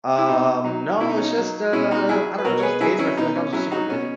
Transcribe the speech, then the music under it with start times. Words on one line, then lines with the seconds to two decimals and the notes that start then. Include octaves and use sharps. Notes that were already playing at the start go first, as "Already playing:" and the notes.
Um, no it's just uh, I don't know, just days where I feel like I was just super busy.
0.18 E4
0.29 B2 D#4
0.64 F#3 D#4
1.00 B2 E4
1.09 D#4
1.17 C#4
1.24 D#4
1.37 F#3
1.73 B2 C#4 E4
1.91 D#4 F#4
2.09 F#3 E4 G#4
2.38 B4
2.44 B2 F#4 A#4
2.59 C#5
2.63 G#4 B4
2.81 F#3 E4 G#4
2.99 C#4 E4
3.17 B2 D#4
3.36 C#4
3.53 F#3 C#4 E4
3.71 D#4 F#4
3.89 B2 C#4